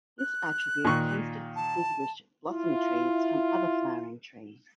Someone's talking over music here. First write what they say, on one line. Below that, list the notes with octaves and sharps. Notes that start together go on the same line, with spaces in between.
This attribute tends to distinguish "blossom" trees from other flowering trees.
F#6
A#2 D#3 C#6
A5
E4 F4